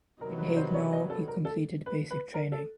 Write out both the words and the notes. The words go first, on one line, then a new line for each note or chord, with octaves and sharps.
In Haguenau he completed basic training.
C3 D#3 F#3 B3 A#4
B4
C5
C#5
D#5
A4
A#4
A4
B4
B4
A#4
A4